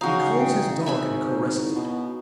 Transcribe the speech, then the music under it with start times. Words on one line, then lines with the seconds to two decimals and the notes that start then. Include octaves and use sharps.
He calls his dog and caresses it.
0.01 C#3 D#4 F#4 F5 C#6
0.35 A1 G5
0.86 G#1 C5 E5 G#5 B5
1.55 E4
1.75 B2